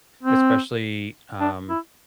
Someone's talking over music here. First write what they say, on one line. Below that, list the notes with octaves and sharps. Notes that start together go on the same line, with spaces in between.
especially, um,
C4
D4
E4